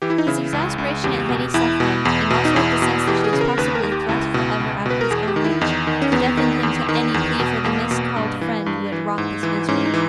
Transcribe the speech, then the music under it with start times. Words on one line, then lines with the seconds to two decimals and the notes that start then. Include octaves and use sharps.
His exasperation at Hetty's suffering--and also at the sense that she was possibly thrust for ever out of his own reach--deafened him to any plea for the miscalled friend who had wrought this misery.
0.02 E3 G4
0.10 E4
0.18 D#4
0.27 C#3 E4
0.53 C#2
0.78 C#2
1.04 E2 G4
1.29 B2
1.54 E2 E4
1.80 B2
2.05 E2
2.30 B2
2.45 D#4
2.56 E2 E4
2.82 B2
3.07 E3 G4
3.24 G#4
3.33 C#3
3.41 A#4
3.58 D#2 B4
3.75 A#4
3.83 D#2
3.92 G4
4.09 C#2 E4
4.34 B2
4.60 C#2
4.86 B2 B4
5.01 A#4
5.11 E2 G#4
5.27 G4
5.36 D#3
5.44 E4
5.61 E2 D#4
5.87 D#3
6.02 C#4
6.12 E2 B3
6.37 D#3
6.63 E2
6.89 D#3
7.14 E2
7.40 B2
7.64 E2 A#3
7.91 B2
8.16 G2
8.41 E3
8.66 G2
8.92 E3
9.18 G#2
9.43 E3
9.68 G#2 C#4
9.86 D#4
9.94 E3